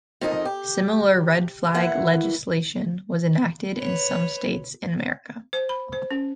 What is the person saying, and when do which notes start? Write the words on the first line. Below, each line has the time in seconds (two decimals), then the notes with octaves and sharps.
Similar 'Red Flag' legislation was enacted in some states in America.
0.21 F2 D#4 A#4
0.45 G4
1.74 E3 A#3 E4 F#5
3.76 B4 C#5
5.53 C5
5.69 B5
5.93 C5
6.11 C#4